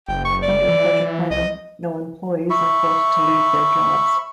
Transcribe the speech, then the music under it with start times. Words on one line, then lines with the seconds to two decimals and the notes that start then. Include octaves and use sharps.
Under such a plan, no employees are forced to leave their jobs.
0.08 F#1 G5
0.25 C#6
0.42 D5
0.69 E3
1.31 C2 D#5
2.50 E5 B5 C#6